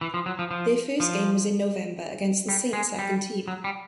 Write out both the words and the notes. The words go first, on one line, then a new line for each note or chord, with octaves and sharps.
Their first game was in November against the Saints second team.
E3
F3
F#3
F3
F3
F3
G3
G#3
G3
F#3
G3